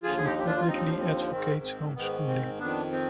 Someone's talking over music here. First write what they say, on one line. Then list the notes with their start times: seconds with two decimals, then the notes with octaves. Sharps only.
She publicly advocates homeschooling.
0.03 D#2 D3 F3 F4 G#4
0.17 G#4
0.25 D#4 G4
0.38 G4
0.46 D4 F4
0.57 F4
0.67 D#2 D3 F3 C4 D#4
0.99 C4
1.31 G#2 D#3 C4
1.63 C4
1.95 G#2 D#3 B3
2.27 C4
2.59 F2 D#3 B3 D4
2.92 C4